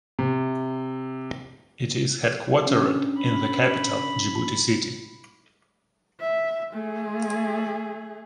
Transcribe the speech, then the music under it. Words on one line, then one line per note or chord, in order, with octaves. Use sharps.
It is headquartered in the capital, Djibouti City.
C3
C#4 D4
B5
E5
A3 G#4